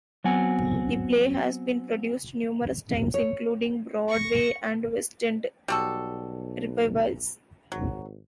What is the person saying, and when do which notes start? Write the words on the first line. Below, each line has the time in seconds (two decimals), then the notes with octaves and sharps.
The play has been produced numerous times, including Broadway and West End revivals.
0.24 F#3 B3 C4 F#4 F#5 G#5
3.14 C#5
4.08 C#6 A#6
5.68 B1 G3 F#4 A4
7.72 G#1 F#3